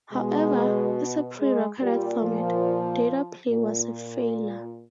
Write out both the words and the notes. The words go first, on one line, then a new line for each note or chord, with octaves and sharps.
However, as a pre-recorded format, DataPlay was a failure.
B2 G#3
G#3
A#2 G3
F3
A#2